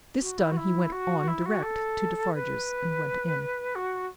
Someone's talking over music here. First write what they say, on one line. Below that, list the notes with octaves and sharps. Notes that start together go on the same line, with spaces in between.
This done, he went on direct to Defarge's, and went in.
F#4
E4
F#4
E4
F#4
E4
F#4
A4
B4
F#4